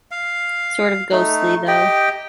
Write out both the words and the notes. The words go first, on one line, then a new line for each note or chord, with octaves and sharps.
Sort of ghostly, though.
F5
A3 D#4
G4 D#5 G5